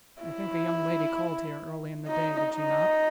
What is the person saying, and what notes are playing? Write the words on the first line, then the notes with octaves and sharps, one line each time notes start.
"I think a young lady called here early in the day, did she not?"
E4
D#4
D#4